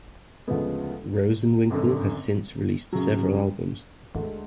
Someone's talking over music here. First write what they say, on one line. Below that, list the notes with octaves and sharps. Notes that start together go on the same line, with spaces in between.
Rosenwinkel has since released several albums.
D2 C#3 F3 G#3 B3
G#1 F#2 D3
F#2 C#3 F#3
D2 D3 G#3